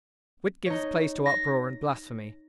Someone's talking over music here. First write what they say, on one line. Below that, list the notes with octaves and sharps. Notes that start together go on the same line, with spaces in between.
Wit gives place to uproar and blasphemy.
D#4 C#5
A#6